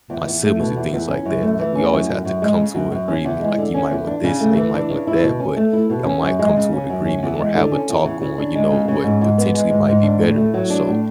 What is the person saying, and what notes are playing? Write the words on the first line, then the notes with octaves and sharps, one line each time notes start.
my siblings and things like that. Like, we always have to come to a agreement. Like, you might want this and they might want that, but y'all might come to an agreement or have a talk on, you know, what potentially might be better. So
E2
E2
A3
B2
E2
E2
C#4
F#2
A3
E3
C#4
F#2
F#2
F#2
G#3
C#3
F#2
F#2
C#4
E2
G#3
D3
C#4
E2
D4
C#3
A3
E3
D4
C#3
E4
B2
C#4
A3
E4
B2
C#4
F#2
G#3
C#3
C#4
F#2
C#4
E2
G#3
D3
C#4
E2
C#3
C#3
D4
G#3
C#3
C#3
G#2
G#2
B3
G#3
G#2
G#2
D4
A2
A3
F#3
D4
A2